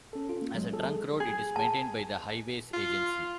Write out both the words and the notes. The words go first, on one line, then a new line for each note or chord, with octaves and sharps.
As a trunk road it is maintained by the Highways Agency.
C#4 A4
F4
A#3
F#3 G#3
G#4 A4
G#4
A5
F4